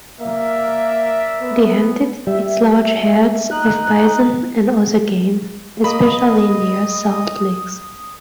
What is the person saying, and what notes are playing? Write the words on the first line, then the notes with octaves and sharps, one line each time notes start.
They hunted its large herds of bison and other game, especially near salt licks.
A#3 A#4 D5 E5
B3
G3 E5
D#4 F#6
A#3 D#5 B5 D#6